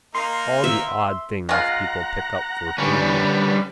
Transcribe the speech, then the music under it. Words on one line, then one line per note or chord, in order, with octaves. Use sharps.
All the odd things people pick up for food.
A#3 D#4 A#4 C6
E5
G#3 F4 F#5 A#5
D3 G3 C#4 B4